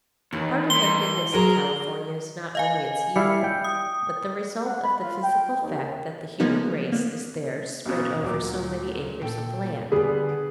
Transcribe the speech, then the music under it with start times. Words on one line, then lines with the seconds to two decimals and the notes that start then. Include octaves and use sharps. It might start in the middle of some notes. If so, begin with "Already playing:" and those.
Part of the thinness of California is not only its youth, but the result of the physical fact that the human race is there spread over so many acres of land.
0.33 D#2 E3
0.70 G2 C6 G7
1.34 F#3 G#4 A#4
2.55 D#5 F5 G#5
3.16 G3 E4 F5 C#7
3.44 G5
3.64 D#6
4.66 F#5
4.83 B5
5.03 F4
5.23 G5
5.62 D#2
6.40 C#3 F3 A#3 B3 C#4 D#4
6.92 A#3 B3
7.85 B1 B2
8.22 D2 A#2 F#3 D6
9.22 A#2 A4 G5
9.92 D3 G3 B3 G#4